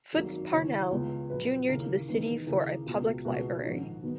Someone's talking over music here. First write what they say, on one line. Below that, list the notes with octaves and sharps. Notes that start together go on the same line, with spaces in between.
"Foots" Parnell, Junior to the City for a public library.
G#1 F#2 D#3 A#3
D#2 C#3 E3 C#5
C#2 C#3 G#3 B3
A#1 A#2 F#3 B4
D#2 C#3 E3 A#3 A#4
E1 E2 D#3 G#3 B3
D#2 C#3 E3 A#3 G#4
C#2 B2 G#3 B3
C#2 B2 G#3 B3 F#4
A#1 G#2 D#3
D#3 F#3 B3